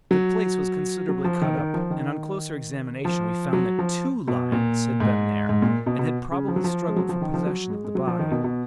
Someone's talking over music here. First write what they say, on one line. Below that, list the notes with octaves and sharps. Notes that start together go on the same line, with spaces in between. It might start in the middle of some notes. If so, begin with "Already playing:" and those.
The place was considerably cut up, and on closer examination we found that two lions had been there and had probably struggled for possession of the body.
F#3
F#3
F3
D#3
D#3
F3
D#3
F3
F#3
F3
B2
A#2
G#2
G#2
A#2
B2
B2
C#3
F3
F#3
F3
G#3
F#3
F3
D#3
F3
F#3
G#3
G#3
F#3
F3
D#3
B2
B2